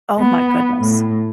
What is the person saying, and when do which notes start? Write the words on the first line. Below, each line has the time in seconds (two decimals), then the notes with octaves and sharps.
Oh my goodness.
0.19 B3
0.80 A2